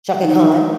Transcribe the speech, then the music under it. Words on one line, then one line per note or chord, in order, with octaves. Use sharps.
Chaka Khan.
D#4
D#4